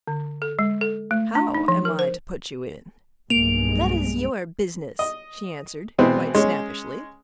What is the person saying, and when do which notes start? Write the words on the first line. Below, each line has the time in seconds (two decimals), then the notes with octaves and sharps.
"How am I to put you in?" "That is your business," she answered, quite snappishly.
0.08 D3
0.42 A4
0.59 G#3
0.81 A4
1.11 A3
1.35 D4
1.54 D#4
1.68 F3
1.85 A#4
1.99 C5
3.30 B1 G2 G#3 A#3 D7 F7
4.99 D#5
5.98 B2 E3 G#3 B3 C4
6.35 G#3 C#4